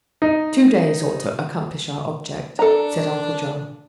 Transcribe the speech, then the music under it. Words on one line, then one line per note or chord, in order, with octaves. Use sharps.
"Two days ought to accomplish our object," said Uncle John.
D#4
D4 A4 A#5